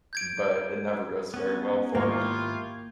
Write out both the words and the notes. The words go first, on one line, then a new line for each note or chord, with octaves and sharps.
but it never goes very well for me.
G6 G#6 D7
B3 C#4
G#2 D#3 A#3 B3 E4 F4 G4 C#5